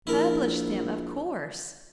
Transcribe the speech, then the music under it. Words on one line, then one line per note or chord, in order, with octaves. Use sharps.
"Publish them, of course."
A#1 E4 A#4